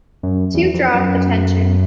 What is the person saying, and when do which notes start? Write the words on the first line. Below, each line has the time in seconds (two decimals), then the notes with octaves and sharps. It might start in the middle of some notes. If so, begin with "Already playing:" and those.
To draw attention.
0.23 F#2
0.54 E2
0.74 F2
0.94 F#2